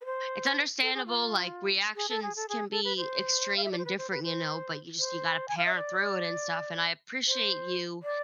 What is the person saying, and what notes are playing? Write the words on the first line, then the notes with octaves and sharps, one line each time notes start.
it's understandable, like, reactions can be extreme and different, you know, but you just you gotta parent through it and stuff, and I appreciate you
B4
C5
A4
G#4
F4
G#4
A4
G#4
A4
G#4
A4
B4
C5
F5
E5
D5
C5
B4
C5
B4
C5
C5
G#5
F5
E5
D5
C5
D5